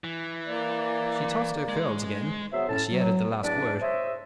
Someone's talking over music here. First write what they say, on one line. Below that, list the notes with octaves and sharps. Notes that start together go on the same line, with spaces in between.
She tossed her curls again, as she added the last word.
E3
A#3 D5
G#3
F#3 B3 G#4 C5 E5
A2 C#4 A5
F#3
E2 D4 B4 D5
C5 C#5 D#5 E5